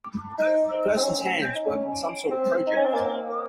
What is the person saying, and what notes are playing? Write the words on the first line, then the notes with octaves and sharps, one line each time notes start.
A person 's hands work on some sort of project.
D#4
C4
C#4
D#4
C#4
C4
D#4
C#4
C4
A#3